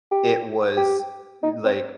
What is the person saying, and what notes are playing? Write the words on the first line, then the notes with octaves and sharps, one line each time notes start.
it was i like,
G4
G4
D#4
C4